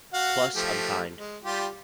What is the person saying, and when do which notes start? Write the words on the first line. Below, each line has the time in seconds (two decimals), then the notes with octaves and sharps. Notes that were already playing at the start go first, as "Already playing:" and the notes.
Plus I'm kind.
0.14 F#4 F5 F#5
0.56 F3 A3 G4
1.16 G#3
1.45 G3 F4 G4